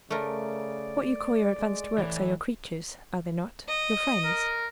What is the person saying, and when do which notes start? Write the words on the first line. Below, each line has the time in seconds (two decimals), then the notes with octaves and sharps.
"What you call your advanced works are your creatures, are they not--your friends?"
0.10 C#3 A3 A#4 D5
1.56 G#3
1.98 A2 E3
3.69 D#5
4.24 A#4